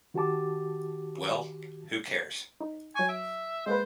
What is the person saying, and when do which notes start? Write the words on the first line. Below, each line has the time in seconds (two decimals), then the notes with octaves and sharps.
Well, who cares?
0.14 D#3 F#4 G4 A5 D6
2.61 D#4
2.95 F#3 G#5 C#6
3.09 E5 D7
3.66 G#3 A#3 B4 C5